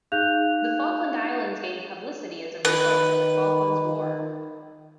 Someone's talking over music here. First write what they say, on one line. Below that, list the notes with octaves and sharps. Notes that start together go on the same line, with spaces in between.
The Falkland Islands gained publicity as a result of the Falklands War.
D#4 G#4 F5 F#6 G6 F7
D#3 B4